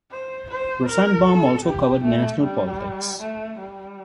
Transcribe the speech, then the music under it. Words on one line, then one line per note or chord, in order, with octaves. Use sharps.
Rosenbaum also covered national politics.
C5
C5
A#4
A4
G4
A3
G3
A3
G3